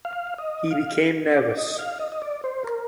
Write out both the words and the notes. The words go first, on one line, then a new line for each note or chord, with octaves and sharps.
He became nervous.
F5
D#5
F5
D5
D#5
F5
D#5
D#5
D5
C5
A#4